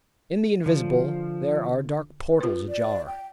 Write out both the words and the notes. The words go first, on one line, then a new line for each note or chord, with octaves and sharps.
In the invisible there are dark portals ajar.
D3 F3
F4 B4
D5
G5